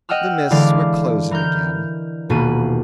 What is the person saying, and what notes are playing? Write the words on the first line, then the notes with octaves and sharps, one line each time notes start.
'The mists were closing again.
D#5 F#5 G5 E6 F6
D3 E3 G#3 D5 F5 D6
E3 A#4 F6 G6
D#1 B2 A#3 B4 D#7